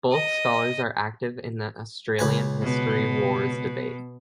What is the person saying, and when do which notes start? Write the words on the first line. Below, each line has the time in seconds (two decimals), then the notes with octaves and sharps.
Both scholars are active in the Australian History wars debate.
0.13 D#5
2.19 C#2 B4 G#5
2.61 B2